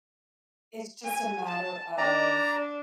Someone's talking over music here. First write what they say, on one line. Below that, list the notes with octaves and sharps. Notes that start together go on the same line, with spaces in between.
it's just a matter of,
G#5
A5
D4 D5 A#5